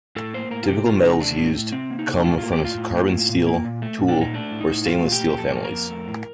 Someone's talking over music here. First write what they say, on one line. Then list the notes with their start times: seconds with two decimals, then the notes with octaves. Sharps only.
Typical metals used come from the carbon steel, tool, or stainless steel families.
0.16 A2 A4
0.34 A#3 C5
0.51 A2 A#4
0.63 F4
0.68 C3 G4
0.86 A3 F4
1.03 C3 D#4
1.20 A3 D4
1.38 A2
1.55 A2
1.72 C3 C4
1.90 A#3
1.99 D#4
2.08 C3
2.25 A2 F4
2.38 A#3 F4
2.52 G4
2.59 A2
2.65 F4
2.77 A2
2.95 A#3
3.12 A2
3.29 A#2
3.47 A#3
3.65 A#2
3.82 A3
3.99 A#2
4.09 D4
4.17 A#2 D#4
4.34 A3 D4
4.51 A2
4.61 D#4
4.69 A2
4.86 A3 F4
5.04 A#2
5.12 G4
5.21 A#2
5.38 F2 A4
5.56 A#3
5.64 A#4
5.73 F2
5.90 A3
6.08 A2